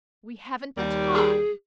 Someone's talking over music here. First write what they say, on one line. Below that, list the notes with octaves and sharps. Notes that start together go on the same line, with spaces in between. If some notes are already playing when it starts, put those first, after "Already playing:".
"We haven't the time."
D#2 G3
G#4